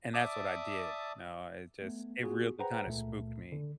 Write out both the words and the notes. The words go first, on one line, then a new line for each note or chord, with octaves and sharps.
And that's what I did. No, it just it really kinda spooked me.
D5 E5 A5 D6 D#6
A3 B3
B3 F4 F#4 G#4
G#4 B4 C5 F#5 G5 A#5
C#2 A#2 A3
D3